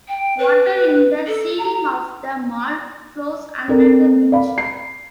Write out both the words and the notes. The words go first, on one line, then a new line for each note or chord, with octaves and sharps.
Water in the ceiling of the mall flows under the bridge.
G5
B4
A4
A#5
C4 A4 A#4 D5
D5 F5 B5
C7